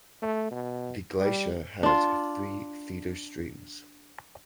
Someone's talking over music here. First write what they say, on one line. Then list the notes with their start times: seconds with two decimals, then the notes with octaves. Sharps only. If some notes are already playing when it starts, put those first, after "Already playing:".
The glacier has three feeder streams.
0.22 A3
0.51 B2
1.21 G3
1.83 D4 F4